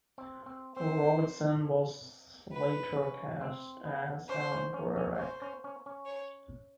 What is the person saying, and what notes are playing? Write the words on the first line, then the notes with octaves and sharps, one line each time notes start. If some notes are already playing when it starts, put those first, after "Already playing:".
Robinson was later cast as Elim Garak.
C4
C4
C4 C5
B4
C#4
C4
B3
C#4 C5
C#4
C#4
C#4
C#4 C5
C#4
C#4
C#4
C#5